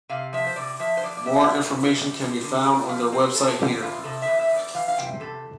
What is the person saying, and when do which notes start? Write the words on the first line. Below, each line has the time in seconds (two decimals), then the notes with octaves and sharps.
More information can be found on their website here.
0.09 C3 F5
0.33 F3 E5
0.47 C5
0.56 C3 D5
0.80 F3 E5
0.97 C5
1.03 F3 D5
1.17 D5
1.26 E2 E5
1.49 G3
1.72 B3
1.95 G3
2.18 G3
2.43 D3
2.65 E2 G5
2.89 F3 F5
3.12 C4 B4
3.34 E2 A4
3.58 D3 G4
3.70 G4
3.82 E2 F4
4.04 C3 A4
4.22 E5
4.27 E2
4.39 E5
4.51 E2 D5
4.75 E3 F5
4.88 F5
4.98 C3 G5
5.20 E2 A4